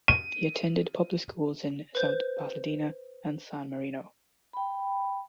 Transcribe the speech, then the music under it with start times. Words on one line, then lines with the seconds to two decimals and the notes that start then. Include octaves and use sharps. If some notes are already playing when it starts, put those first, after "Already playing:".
He attended public schools in South Pasadena and San Marino.
0.08 D#7
1.95 B4 C5 G6
4.53 G5 B5